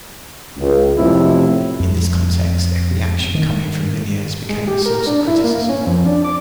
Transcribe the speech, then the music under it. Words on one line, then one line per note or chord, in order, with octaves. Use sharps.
In this context, every action coming from Liniers became a source of criticism.
C#2
B1 F2 A2 C3 E4
F2
D#3
G#3
G4
A#4
D4
E4
A#3
C#4
F2
D4
D6